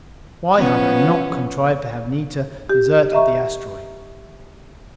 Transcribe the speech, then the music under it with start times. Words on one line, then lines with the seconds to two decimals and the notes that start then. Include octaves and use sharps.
Why had I not contrived to have Anita desert at the asteroid?
0.57 F3 B3 C#4
2.69 G4
3.12 D#5 E5 A#5 C#6